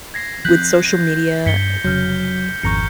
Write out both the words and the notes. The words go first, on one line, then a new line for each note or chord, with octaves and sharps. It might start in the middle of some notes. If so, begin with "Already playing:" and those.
with social media, eh,
G#6 A#6 C7
F3 C4 F#6 G6 B6
G2 D4 B6 C#7 G7
F1 C#3 F#3 F6 G6
G#1 F2 A#5 C#6 G6 C#7